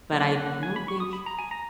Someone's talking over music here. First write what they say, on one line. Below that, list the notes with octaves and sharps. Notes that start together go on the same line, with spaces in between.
but I don't think
F#3 A#3 C#4
F#5
G#5
B5
C#6
D#6
B5
A#5
G#5
A#5